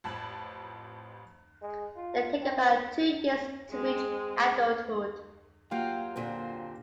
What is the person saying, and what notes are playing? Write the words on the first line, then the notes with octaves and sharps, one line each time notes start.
They take about two years to reach adulthood.
A1 F2 A5 B5 G#6 F#7
G#3
F4
C4
G#3 C4
F#3 A#3 F4 G4 G5
A#2 D3 C4 C5